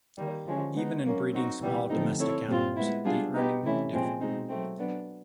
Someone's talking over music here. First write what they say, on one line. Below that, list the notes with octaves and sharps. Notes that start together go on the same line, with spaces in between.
Even in breeding small domestic animals, the earning differ.
D#3 G3 A#3
D3 F3 G#3 C#4
G#3 B3 D#4
F#3 A#3 C#4
C4 D#4 F#4
C3 E3 G3 B3
D3 F3 A3 C4 D#4
C4 E4 A4 C#5
A#2 G3 C4 F4
G#3 B3 E4
G3 B3 D4 F4 G#4
B3 D#4 G4 B4
C3 E3 A3 C#4 E4
A#2 F3 G#3 C4
B2 G#3 C4 D#4
F#3 A3 C4
F#3 B3 D4